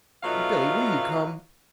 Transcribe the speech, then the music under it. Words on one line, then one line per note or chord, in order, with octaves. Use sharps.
Billy, will you come?
B2 F#3 A3 D#4 F4 F5